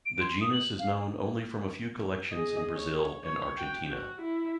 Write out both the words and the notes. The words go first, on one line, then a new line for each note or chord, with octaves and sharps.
The genus is known only from a few collections in Brazil and Argentina.
D7
C6
D#6
F#7
F5
G#4 D#5
C#5
C#5
F#4 G5
F#4
E4